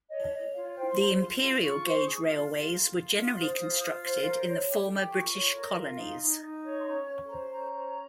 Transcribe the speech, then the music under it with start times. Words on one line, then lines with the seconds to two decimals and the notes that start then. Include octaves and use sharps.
The imperial gauge railways were generally constructed in the former British colonies.
0.10 C#5 D#5
0.32 C#5 D#5
0.53 F4 F5
0.75 C5 G5
0.89 C6
0.98 F4 A#5
1.20 F4 C6
1.41 F4 C6
1.63 F4 C#6
1.85 C5
2.07 G#4
2.28 F4
2.50 F4
2.72 F4
2.93 F4
3.15 F4
3.37 C5 D#6
3.59 F4
3.81 F4
4.02 C5
4.24 A#4
4.45 C#5
4.68 G4
4.89 G4
5.11 F4 C#6
5.33 C#5
5.55 A#4
5.77 F4
5.98 D#4
6.20 D#4
6.41 D#4
6.63 C#5
6.80 C6
6.85 C#4 A#5
7.06 C#4
7.28 C5 A#5
7.50 C#4 A#5
7.72 C5